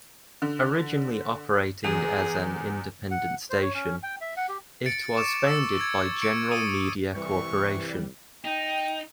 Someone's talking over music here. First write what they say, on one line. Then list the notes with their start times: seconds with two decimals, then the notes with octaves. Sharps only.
Originally operating as an independent station, it was founded by General Media Corporation.
0.42 D3
1.84 E2 G#4
3.11 F#5
3.50 C5
3.62 C#5
3.74 C#4
4.03 G5
4.21 E5
4.37 F#5
4.49 G4
4.86 A6 C#7 D7
5.16 C#6 D6 E7
5.47 E6 A6 C#7
5.80 G#6 A6
6.22 C#6 C#7 D7
6.51 D#6 E6 D#7
7.15 C2 E3 G3 C#6
8.45 D#4 G5